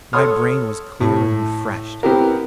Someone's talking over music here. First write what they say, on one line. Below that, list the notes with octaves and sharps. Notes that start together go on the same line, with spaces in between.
My brain was clear and refreshed.
A4 C#5 C6 D#6 F6
A2
B3 C4 E4 G4 A#4